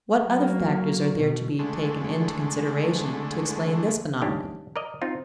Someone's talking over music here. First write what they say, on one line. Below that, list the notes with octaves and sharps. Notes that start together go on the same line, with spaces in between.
What other factors are there to be taken into consideration to explain this phenomenon?
F#3 A#3
B2
D3 G#3 A3
D#3 A#3 C#4 D4 G4
A#4 D5 D#5
C4 D#4 F4